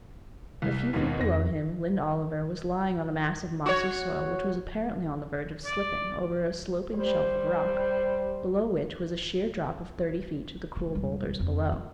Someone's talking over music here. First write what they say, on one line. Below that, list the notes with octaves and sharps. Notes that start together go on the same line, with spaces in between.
A few feet below him Lynde Oliver was lying on a mass of mossy soil which was apparently on the verge of slipping over a sloping shelf of rock, below which was a sheer drop of thirty feet to the cruel boulders below.
C2
G#1 D#2 B2
F2 A#6
F#4 C#5
D5
G3 C5
C#3 A3
E1 G3
F2 C#3
F4